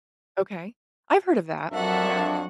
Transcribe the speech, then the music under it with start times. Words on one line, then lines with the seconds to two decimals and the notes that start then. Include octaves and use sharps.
Okay. I've heard of that. Yeah.
1.73 F2 F#3 D4 F#4 A#4 E5 F#5 A5